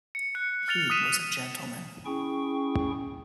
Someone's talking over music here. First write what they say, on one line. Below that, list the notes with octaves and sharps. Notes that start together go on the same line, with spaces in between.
He was a gentleman.
C#7
F#6 C#7
F6 A6 C#7 F7 G7
D#6 F6 F#6 B6 D#7 E7
C#4 E4 G#4 G5 C#6